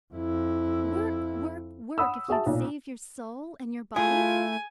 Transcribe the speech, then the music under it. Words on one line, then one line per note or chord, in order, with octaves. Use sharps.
Work, work, work if you'd save your soul and your body.
F2 E4
F#5 B5 D#6 E6
F#4 G#4 E5 A5
B1 A#2
A3 E4 F4 G#4 G#5